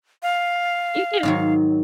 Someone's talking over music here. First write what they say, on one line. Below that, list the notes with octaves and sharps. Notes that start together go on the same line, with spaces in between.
You too.
F5
G#2 D#3 F#3